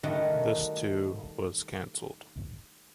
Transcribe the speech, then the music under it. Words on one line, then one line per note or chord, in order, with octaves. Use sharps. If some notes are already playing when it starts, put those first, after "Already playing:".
This, too, was canceled.
D#3 G3 A3 D#4 F#4 D#5